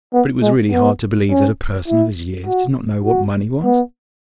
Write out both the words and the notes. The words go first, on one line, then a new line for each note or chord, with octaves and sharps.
But it was really hard to believe that a person of his years did not know what money was.
B3
G#3
B3
C#4
E4
F#4
F#4
B3